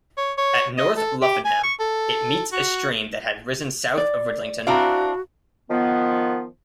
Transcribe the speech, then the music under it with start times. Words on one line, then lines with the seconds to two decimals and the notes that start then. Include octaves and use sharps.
At North Luffenham, it meets a stream that had risen south of Ridlington.
0.18 C#5
0.38 C#5
0.77 D#5
0.97 A4
1.22 G4
1.45 G#5
1.63 C#6
1.80 A4
2.52 F#4
3.98 D5
4.67 C4 D4 E4 F#4 F5 A#5
5.70 D#3 F3 B3